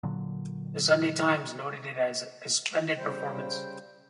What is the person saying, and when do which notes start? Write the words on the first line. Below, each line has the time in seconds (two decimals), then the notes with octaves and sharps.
"The Sunday Times" noted it as "a splendid performance".
0.03 A#2 D3 F#3
2.97 C#3 G3 C5 G5